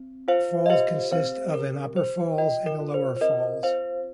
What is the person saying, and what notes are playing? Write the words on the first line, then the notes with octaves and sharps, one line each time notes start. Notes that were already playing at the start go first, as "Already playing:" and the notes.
The falls consists of an Upper Falls and a Lower Falls.
Already playing: C4
F4 C5 F5
D#5
G4 C5 F5
C4 C5 F5
G4 A#4
G4 C5
F4 D#5 G5
A#4
F4
C5
C5
C4 A#4 D#5
F4 C5 F5